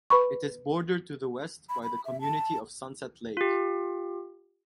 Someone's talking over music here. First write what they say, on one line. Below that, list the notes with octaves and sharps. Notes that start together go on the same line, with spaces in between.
It is bordered to the west by the community of Sunset Lake.
B4 B5 C#6
B5
B5
E5
A5
F4 G4